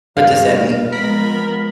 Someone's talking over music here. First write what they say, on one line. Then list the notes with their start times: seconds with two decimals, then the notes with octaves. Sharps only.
What does that mean?
0.17 G2 F5
0.92 F3 G#3 B3 A#4 B5